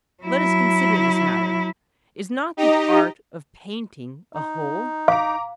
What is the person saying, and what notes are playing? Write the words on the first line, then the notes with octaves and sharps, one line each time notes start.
Let us consider this matter; is not the art of painting a whole?
F#3 E4
D#4 G4 D#5 A#5
D#4
F5 A#5 D6